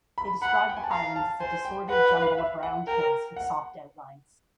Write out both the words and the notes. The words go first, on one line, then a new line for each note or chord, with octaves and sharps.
They described the highlands as "a disordered jumble of round hills with soft outlines".
B5
F#5 B5
G5
G#5
A5
F5 A#5
A5
C5 G#5
G5
B4 F#5
F#5
F5
E5
F#5
A#4 G5
F#5